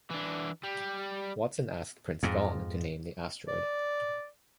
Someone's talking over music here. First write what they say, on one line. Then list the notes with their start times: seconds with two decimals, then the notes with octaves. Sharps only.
Watson asked Prince Gong to name the asteroid.
0.10 E3 D4
0.64 G3
2.23 F2 G#2
3.48 D5